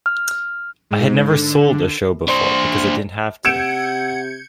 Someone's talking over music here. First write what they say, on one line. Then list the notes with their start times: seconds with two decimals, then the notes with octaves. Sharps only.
I had never sold a show before because I didn't have to.
0.06 F6
0.91 G#2
1.29 D3
2.28 D4 C5
3.45 C3 F#5 E6 G6 G#6 C#7 D7 E7